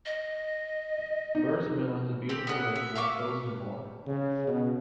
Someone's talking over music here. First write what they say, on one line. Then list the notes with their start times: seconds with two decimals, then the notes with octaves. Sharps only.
Burrs Mill is a beutiful lake with hills and more.
0.05 D#5
1.35 D#4
2.29 C4 G4
2.47 B3 F#6
2.76 E5
2.95 E5 F5 C#6 D6
4.07 C#3
4.47 B2